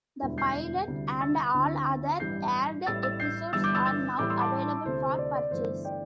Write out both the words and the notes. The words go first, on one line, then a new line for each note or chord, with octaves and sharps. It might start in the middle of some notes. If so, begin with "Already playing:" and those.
The pilot and all other aired episodes are now available for purchase.
E1 D2 D3 G3 E4
G6 C7
D2 C3 G3 E4
E6 A6
D2 D3 C4 E4
A1 G2 E3 G3 G6 C7
A1 A2 G3 E6 A6
E6 A6
G6 C7
G1 G2 E3 G3 D4 E6 A6
D6 G6
E6 A6
E6 A6
A2 E3 G3 D6 G6
C6 E6
A5 D6
D2 C3 A3 E4 C5
D5
D5
G1 G2 E3 A3 D4 C5
D5 G5